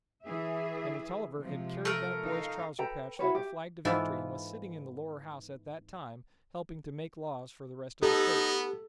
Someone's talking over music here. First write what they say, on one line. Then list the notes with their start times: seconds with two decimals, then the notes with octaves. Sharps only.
And a Tolliver had carried that boy's trouser-patch like a flag to victory and was sitting in the lower House at that time helping to make laws for the rest of the State.
0.23 E3 G#4 E5
1.40 C3 F3 G#3
1.85 A3 A#4
2.23 D#4 F5
2.79 A4 B4 G5 A#5
3.19 E4 F#4 B4 C#5
3.35 G4
3.85 G#2 E3 B3 F4 A4 E5
8.03 B3 D#4 G4 A4